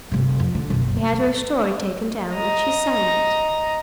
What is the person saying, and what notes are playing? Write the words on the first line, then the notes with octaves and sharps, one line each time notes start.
He had her story taken down, and she signed it.
G1 C3
F2
D3
F#1 B1
F3
D#5 A#5